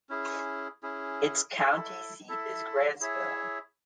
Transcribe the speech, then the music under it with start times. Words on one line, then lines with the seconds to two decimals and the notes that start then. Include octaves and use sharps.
Its county seat is Grantsville.
0.09 C#4 E4 G#4
0.83 C#4 E4 G#4
1.56 E4 A4 E5
2.28 E4 A4 E5
3.01 E4 G#4 C#5 E5